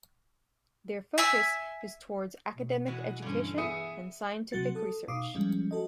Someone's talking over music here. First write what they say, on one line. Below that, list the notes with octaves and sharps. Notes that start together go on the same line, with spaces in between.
Their focus is towards academic education and scientific research.
E5 G#5 E6
B2
E3 G#3 F#4
G2 D3 E3 C#4
B3 G#4 E5 D#6 C#7
C3 F#3 F#4 A6 C#7
A4 D#6
B2 D#4 F5 D6 D#6 C7
F3 G3 G#3 C#4
F#4 A4 D#5